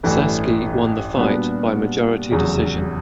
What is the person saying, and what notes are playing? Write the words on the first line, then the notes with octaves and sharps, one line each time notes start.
Sasaki won the fight by majority decision.
A1 G2 E3 A3
A#2 G3 B3 D4 F#4
F1 E2 C#3 F#3